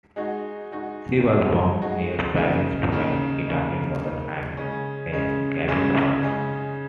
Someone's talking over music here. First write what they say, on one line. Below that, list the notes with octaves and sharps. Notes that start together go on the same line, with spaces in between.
She was born near Paris to an Italian mother and a Kabyle father.
G#3 D#4 F#4
G#3 D#4 F#4
G#3 D#4 F#4
G#3 D#4 F#4
C#3 A#3 D#4
C#3 A#3 D#4
C#3 A#3 D#4
C#3 A#3 D#4
C#3 G#3 C#4
C#3 G#3 C#4
C#3 G#3 C#4
C#3 G#3 C#4